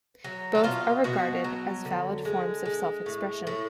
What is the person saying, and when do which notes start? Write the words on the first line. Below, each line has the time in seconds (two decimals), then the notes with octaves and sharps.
Both are regarded as valid forms of self-expression.
0.24 F#3
0.55 D4
0.64 B2 F4
1.04 B2 F#4
1.44 F#3
1.85 D3
2.25 G#3
2.66 G#3
3.06 A2
3.47 A2